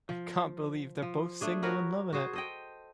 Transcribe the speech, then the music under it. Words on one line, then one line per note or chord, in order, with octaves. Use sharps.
I can't believe they're both single and loving it.
F3
F3
A3 D4 G#4
F#4 A#4 B4 C#5
F#4 G#4 C5
A4 D#5 G5